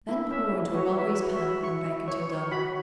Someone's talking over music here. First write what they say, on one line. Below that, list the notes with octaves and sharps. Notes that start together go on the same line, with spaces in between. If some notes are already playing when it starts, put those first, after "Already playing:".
Then pour into a well-greased pan and bake until done.
E4
C#4 E5
E4
F#4 C#5
B4 E5
F#4 C#5
E5
F#4
B5
E4 C#6
E4
C#5 C#6
C#5 C#6
F#4 B5